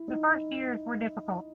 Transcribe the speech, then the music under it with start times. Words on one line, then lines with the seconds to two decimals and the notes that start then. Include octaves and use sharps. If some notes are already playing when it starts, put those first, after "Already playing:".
The first years were difficult.
Already playing: E4
0.08 D#4